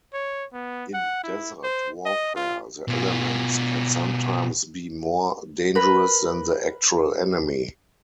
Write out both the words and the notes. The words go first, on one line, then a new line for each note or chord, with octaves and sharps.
In desert warfare the elements can sometimes be more dangerous than the actual enemy.
C#5
B3
F#5
E4
C5
D#5
F4
B2 F4
A#4 B4 B5